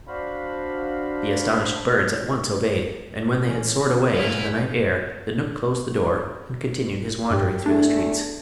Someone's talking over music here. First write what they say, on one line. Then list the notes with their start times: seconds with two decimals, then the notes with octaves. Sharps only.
The astonished birds at once obeyed, and when they had soared away into the night air the knook closed the door and continued his wandering through the streets.
0.08 D4 F#4 C5 F5 B5
3.49 E3 C#4
4.14 D2 A#2 B3 E4 F4
7.30 G2 G4
7.66 E2 A3 D4